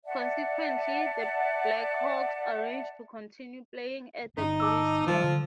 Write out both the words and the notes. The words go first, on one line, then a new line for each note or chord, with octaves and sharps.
Consequently, the Blackhawks arranged to continue playing at the Coliseum.
D5 E5 F#5 A5
G1 D4 D#4
A5 D6 E6
D#3 F3 G3
D3